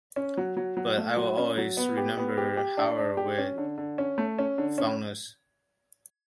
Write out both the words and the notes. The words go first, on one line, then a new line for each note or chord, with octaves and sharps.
But I'll always remember Howard with fondness.
C#4
F#3
F#3
F#3
A3
F#3
C#4
F#3
B3
G4
B3
G4
G4
D4
D4
G4
C#4
D3
D3
C#4
A3
C#4
D3
C#4